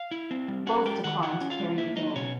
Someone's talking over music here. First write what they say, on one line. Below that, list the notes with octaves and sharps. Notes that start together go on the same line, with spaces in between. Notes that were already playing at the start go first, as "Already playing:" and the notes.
Both declined to carry the game.
Already playing: F5
E4
C4
G3
C#4 F#4 F#5
G#3 G4 G5
D#3 F#4 F#5
E4 F#4 F#5
C#4
F4 F5
G#3
A#3 E4 E5
F#3 D#4 D#5
B2 C#4 C#5